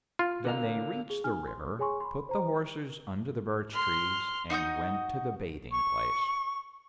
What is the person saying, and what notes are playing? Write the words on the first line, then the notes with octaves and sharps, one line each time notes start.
Then they reached the river, put the horses under the birch trees, and went to the bathing-place.
F4
D3 A#4 F5
G#4
D#4 G#5 F6
C6
G#4 C#5 G#5 C6 C#6
B5 C6
C5 A#5
C6 F6
D#4 F#4 D#5 G6
C#6